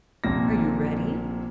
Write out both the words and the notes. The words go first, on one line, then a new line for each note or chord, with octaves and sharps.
"Are you ready?"
A#1 C3 A#3 A#6